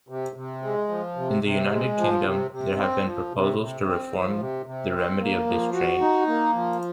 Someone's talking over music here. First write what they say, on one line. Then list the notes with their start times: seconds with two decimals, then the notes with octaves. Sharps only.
In the United Kingdom, there have been proposals to reform the remedy of distraint.
0.09 C3
0.36 C3
0.63 G#3
0.89 F3
1.16 C3
1.43 C3
1.70 G#3
1.98 F3
2.24 C3
2.51 C3
2.77 C4
3.04 F3
3.32 C3
3.59 C3
3.85 C4
4.12 F3
4.39 C3
4.66 C3
4.93 C4
5.20 A#3
5.47 F3
5.73 F#4
6.01 D#4
6.27 A#3
6.54 F3